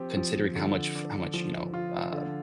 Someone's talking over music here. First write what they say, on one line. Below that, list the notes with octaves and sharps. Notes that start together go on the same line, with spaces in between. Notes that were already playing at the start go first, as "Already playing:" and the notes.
considering how much fu how much, you know, uh,
Already playing: F3 C4 G4
F3
D3
D4
F3
F4
D3